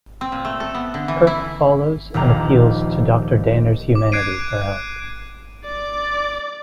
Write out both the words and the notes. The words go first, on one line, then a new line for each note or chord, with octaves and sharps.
Kirk follows and appeals to Doctor Dehner's humanity for help.
C4
A#2
A3
A4
B3
D3
E3
E4
D#1 A#1 D#2 A#5
D6
F#6 G#6 C7 D7 D#7
F#6
D5 D6